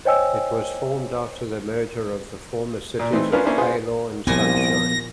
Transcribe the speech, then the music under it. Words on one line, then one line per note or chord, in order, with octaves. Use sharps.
It was formed after the merger of the former Cities of Keilor and Sunshine.
C5 C#5 D#5 G5 G#5 E6
A#2
E3 A3 C4 D#4 E4
C#4 D4 F4 A#4 B4
A#3 C#4 D4 E4 C5
F4 G#4 B4 C5
C2 A#2 F3 B3 G#5 A#6